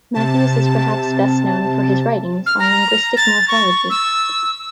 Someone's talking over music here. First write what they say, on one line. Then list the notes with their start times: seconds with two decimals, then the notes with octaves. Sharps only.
Matthews is perhaps best known for his writings on linguistic morphology.
0.14 C3 A5
2.46 F6
2.59 A#5
3.17 A6
3.48 C#6
3.90 E6